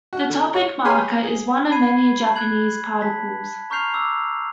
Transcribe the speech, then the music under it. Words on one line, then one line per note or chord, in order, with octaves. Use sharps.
The topic marker is one of many Japanese particles.
F#4
D3
C#5 C#6
G4 G#4 B4 C#5 G#5 C6
G#4
B5 G#6 C7 D#7
F#6 G#6 F#7
A5 B6
A#5 C#6 F6 G6 C7 F7
D6 E6